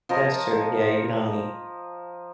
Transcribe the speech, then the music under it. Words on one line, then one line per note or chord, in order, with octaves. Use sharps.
That's true, yeah, you can only
F3 D#5 A#5